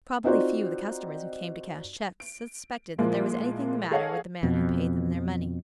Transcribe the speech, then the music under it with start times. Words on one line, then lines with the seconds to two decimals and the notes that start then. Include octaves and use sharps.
Probably few of the customers who came to cash cheques suspected that there was anything the matter with the man who paid them their money.
0.24 C4 D#4 F4 F#4 C5 D5
2.20 D7
2.98 A#2 F3 G#3 A#3 E4
3.91 G#4 A4 C#5 D#5 F5 F#5
4.43 F2 B2